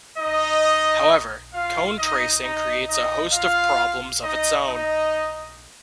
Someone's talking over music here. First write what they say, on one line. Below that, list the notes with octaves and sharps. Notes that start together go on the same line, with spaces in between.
However, cone tracing creates a host of problems of its own.
D#4 D#5
F4 F5
D#4 D#5
D#4 D#5
D#4 D#5
F4 F5
D#4 D#5
D#4 D#5